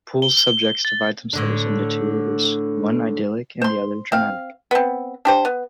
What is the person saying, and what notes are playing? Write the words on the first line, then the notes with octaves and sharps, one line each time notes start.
Poole's subjects divide themselves into two orders, one idyllic, the other dramatic.
G7
G7
A6
A2 D3 D4
C5 C6
C4 F5
B3 C4
D4 G4 C5
B3